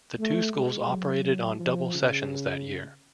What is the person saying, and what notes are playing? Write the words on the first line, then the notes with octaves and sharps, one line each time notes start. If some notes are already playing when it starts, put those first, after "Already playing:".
The two schools operated on double sessions that year.
A3
G#3
F#3
F3
C#3